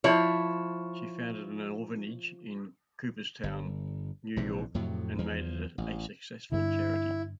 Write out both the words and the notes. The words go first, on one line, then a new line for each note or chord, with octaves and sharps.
She founded an orphanage in Cooperstown, New York and made it a successful charity.
F3 E4 C#5
G1
A#1 C3 E3
F2 A2 C3 F#3
E2 F3
A1
G2 D3 E4